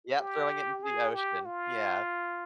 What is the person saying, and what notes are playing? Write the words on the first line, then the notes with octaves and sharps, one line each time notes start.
yep, throwing it into the ocean. Yeah.
G4
G#4
G4
F4